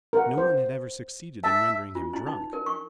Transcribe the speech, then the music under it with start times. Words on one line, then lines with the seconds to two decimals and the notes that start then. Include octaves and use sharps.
No one had ever succeeded in rendering him drunk.
0.13 A#4 F#5
0.38 C5
1.44 E5 A5
1.95 F4
2.13 E4
2.26 D#4
2.53 A#4
2.66 C#6